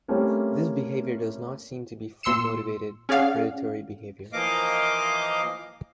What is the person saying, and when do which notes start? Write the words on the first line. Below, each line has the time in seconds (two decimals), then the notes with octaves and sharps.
This behavior does not seem to be "food-motivated predatory behavior".
0.08 G3 A3 A#3 C4 C#4 E4
2.23 A#2 C6 E6 C#7 E7
3.09 C#4 G#4 D5 F5 F#5
4.33 E3 F3 A#3 D#5 F5 D6